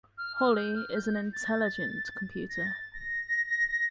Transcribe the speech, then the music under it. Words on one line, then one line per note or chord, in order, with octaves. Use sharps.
Holly is an "intelligent" computer.
F6
F6
G6
F6
G6
A6
A#6
A6
A6
A#6